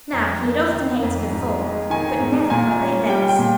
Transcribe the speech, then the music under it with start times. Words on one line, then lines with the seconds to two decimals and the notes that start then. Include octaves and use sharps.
Now he had often hated before, but never quite like this.
0.13 F2 A#5
0.43 A#3
0.72 D#3
1.02 F2
1.31 G#2
1.61 G#3
1.90 D#3 G#5
2.20 G#2
2.50 A#2 G#5
2.80 C#4
3.09 G3 G5
3.29 G5
3.39 A#2